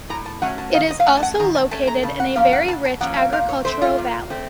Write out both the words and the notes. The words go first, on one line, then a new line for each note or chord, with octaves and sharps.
It is also located in a very rich agricultural valley.
A2 A#5
A5
F#3 A3 C#4 F#5
A5
D#3 F5
D#5
F5
A3 C#4 F#5
A5
F#5
D#3 A#5
A5
A3 C#4 A5
A#5
C#3 A5
F#5
F3 A#3 C#4 F5
F#5
C#3 A5
A5
F3 A#3 C#4 F#5
F5
A#2 F5
C#5
A3 C4 C5
F4
A#2
A3 C4